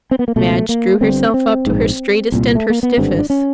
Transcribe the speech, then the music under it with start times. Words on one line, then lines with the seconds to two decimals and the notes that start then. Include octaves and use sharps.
Madge drew herself up to her straightest and her stiffest.
0.11 C4
0.19 B3
0.28 A#3
0.36 C#2 B2 A3
0.69 A#3
1.01 G1 G2 D3 C4
1.34 C4
1.66 A#1 G#2
2.32 C2 A#2
2.56 A3
2.70 A#3
2.83 B3
2.97 G#1 G2 D3 C4
3.19 D4
3.30 C#4